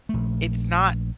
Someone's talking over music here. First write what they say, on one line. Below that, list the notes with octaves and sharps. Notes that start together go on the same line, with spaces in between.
it's not
A#1 A3